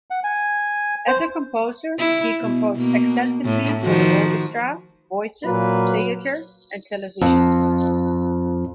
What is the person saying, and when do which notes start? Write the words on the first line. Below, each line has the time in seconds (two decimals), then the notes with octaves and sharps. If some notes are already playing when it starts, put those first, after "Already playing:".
As a composer he composed extensively for the orchestra, voices, theatre and television.
0.10 F#5
0.24 G#5
1.08 C5
1.99 E4
2.41 B2
2.76 B2 A#3
3.45 A2
3.82 D#3 F3 F#4
5.45 A#2 F#3 A#3 B4
7.21 F2